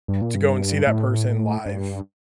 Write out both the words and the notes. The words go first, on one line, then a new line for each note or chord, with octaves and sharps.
to go and see that person live,
G2
A#2
G2
A2
G2